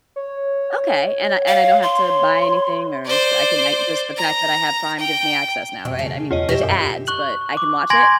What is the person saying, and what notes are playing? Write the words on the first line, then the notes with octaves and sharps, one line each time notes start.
Okay, and I and I don't have to buy anything or sh I can like, just the fact that I have Prime gives me access now, right? I mean, there's ads, but I can watch it?
C#5
F5
C6
C5 D5
A#5
G5
F2 B2
C#3 A3
E2 F4 C#5 D#5
B2 G4 E5 A#6 E7
F#2
C#6 F#6 F#7
D6
G#5 C6 G#6 A#6 D7 F#7